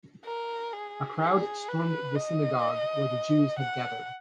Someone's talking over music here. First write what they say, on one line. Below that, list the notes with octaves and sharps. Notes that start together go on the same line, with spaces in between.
A crowd stormed the synagogue where the Jews had gathered.
A#4
G#4
G#4
B4
D#5
F#5